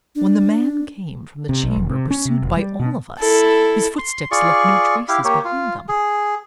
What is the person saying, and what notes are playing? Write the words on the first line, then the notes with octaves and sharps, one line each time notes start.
When the man came from the chamber, pursued by all of us, his footsteps left no traces behind them.'
D4
C3
B1
F1
C3
C#4
C3
F1
G3
B2
E4 A4
C6
F4 G#4 D5 C#6
E4 G4 F5
A#3 G4 C#5
F4
G#4